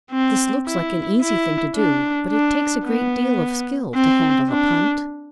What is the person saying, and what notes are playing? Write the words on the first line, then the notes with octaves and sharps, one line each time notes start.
This looks like an easy thing to do, but it takes a great deal of skill to handle a punt.
C4
E4
E4
D4
D4
B3
C4
D4